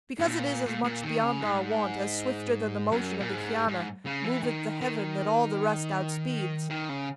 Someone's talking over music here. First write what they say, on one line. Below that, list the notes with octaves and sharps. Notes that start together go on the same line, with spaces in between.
Because it is as much beyond our wont, As swifter than the motion of the Chiana Moveth the heaven that all the rest outspeeds.
G#2
A#2
A#2
A#2
D#3
C#3
G#2
F#2
A#2
G#2
G#2
C#3
E3
D#3
D#3
D#3
C#3